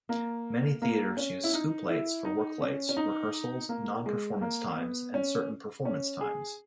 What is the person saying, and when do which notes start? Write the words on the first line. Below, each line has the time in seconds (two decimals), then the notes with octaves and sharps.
Many theaters use scoop lights for worklights, rehearsals, non-performance times, and certain performance times.
0.09 A#3
0.82 A#3
1.17 C#4
1.44 E4
1.53 D#4
1.89 E4
2.25 D#4
2.61 C#4
2.89 C#4
2.97 D#4
3.69 A#3
4.06 G#3
4.41 A#3
4.77 B3
5.14 C#4
5.85 C#4
6.21 G#4